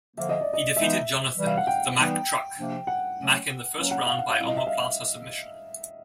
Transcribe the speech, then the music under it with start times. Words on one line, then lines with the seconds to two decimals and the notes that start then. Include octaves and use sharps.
He defeated Jonathon "the Mack Truck" Mack in the first round by omoplata submission.
0.17 D3 F3 A#3 E5
0.29 D#5
0.41 D5
0.53 D#5
0.76 E3 G#3 B3 D#4 E5
1.37 C3 E3 G3
1.47 F5
1.57 F#5
1.67 G5
1.97 E3 G3 B3 D#4
2.56 C3 F3 A#3 D4
2.87 F#5
3.16 F#3 A3 C#4
3.77 F#3 A#3 C#4
3.91 F#5
4.06 F5
4.18 F#5
4.31 F5
4.36 A#2 G3 C4 E4
4.47 D#5
4.57 E5
4.67 F5